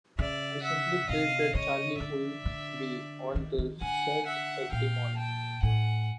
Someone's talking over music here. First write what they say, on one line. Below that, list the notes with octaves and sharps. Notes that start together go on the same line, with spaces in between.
I simply prayed that Charlie would be on the set every morning.
C#3 D5 E5
E5 F#5
C3 D#5 F5
C#3 C#5 D#5
D3 D5 E5
D3
D#3
D#3
D3 F#5 G#5
E5 F#5
A#2 F5 G5
G5 A5
A2 F#5 G#5